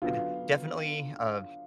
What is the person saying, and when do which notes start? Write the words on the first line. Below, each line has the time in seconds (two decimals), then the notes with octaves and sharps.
eh, d definitely, uh,
0.02 D3 F#3 B3 F4